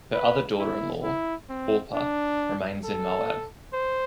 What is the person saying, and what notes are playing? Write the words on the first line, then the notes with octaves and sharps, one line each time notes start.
Her other daughter-in-law, Orpah, remains in Moab.
B4
E4
E4
C4
D4
A4
C5